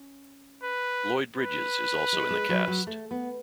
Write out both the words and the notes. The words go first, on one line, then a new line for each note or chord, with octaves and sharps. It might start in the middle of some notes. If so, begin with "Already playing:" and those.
Lloyd Bridges is also in the cast.
Already playing: C#4
B4
B4
G#3
G#3
F#3
F#3
A3
B3